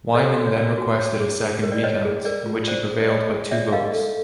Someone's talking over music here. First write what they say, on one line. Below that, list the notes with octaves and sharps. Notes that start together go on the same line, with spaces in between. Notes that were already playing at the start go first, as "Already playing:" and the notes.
Wyman then requested a second recount, in which he prevailed by two votes.
A4 C#5 D#5
F#4
C#5
A#4 D5
F#4
C#5
G#4
C#5
A#4
D5
B4 C#5 D#5
G#4
A#4 D5
F4
C5 D5
G#4
D5
C#5 D#5
G#4
C#5 D5 E5
A#4 D#5 F5
A4